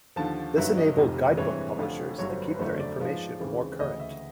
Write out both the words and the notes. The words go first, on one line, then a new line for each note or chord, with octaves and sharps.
This enabled guidebook publishers to keep their information more current.
D#2 D3 F3 A5
G2 D#3 F#3 B3 E5
D#5
F1 F2 C3 D#3
G2 E3 G#3 C4 E4 C#5
F1 F2 D3 F3
G1 G2 D3 F#3 C#5
C5
B4
C5
B4
G1 F2 D3 F#3 A3 C5
D5
G#2 F3 G#3 B3
D#2 C#3 E3 G#3 C4
D2 C#3 E3 D#5
E5